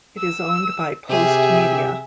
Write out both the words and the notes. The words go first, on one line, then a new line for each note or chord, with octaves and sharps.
It is owned by Postmedia.
E6
C3 G4 G#4 E5